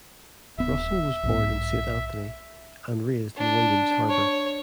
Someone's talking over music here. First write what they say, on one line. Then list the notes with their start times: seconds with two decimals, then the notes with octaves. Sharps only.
Russell was born in Saint Anthony and raised in William's Harbour.
0.58 D#1 B3 E5
1.23 B1 G#2 B3
3.37 D4
4.09 C#5